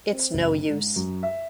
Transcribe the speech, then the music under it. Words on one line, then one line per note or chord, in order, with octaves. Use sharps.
It’s no use.
C4
F#1
G#2
F#2
E5